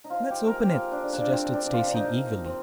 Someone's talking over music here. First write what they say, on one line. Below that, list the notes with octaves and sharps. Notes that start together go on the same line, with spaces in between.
"Let's open it," suggested Stacy eagerly.
D#4
F3 F4
G4
A#3
A#4
G#4
G4
F3 F4
D4
D3
D4
F3 C4
D4
C3
F4
D4
A#3 D#4
F3
C4